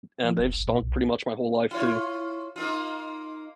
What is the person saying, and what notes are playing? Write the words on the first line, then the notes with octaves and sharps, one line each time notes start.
And they've stunk pretty much my whole life too.
F3
F1
G1
A#2
B1
E4 F4 C#5
A#3 D#4 F4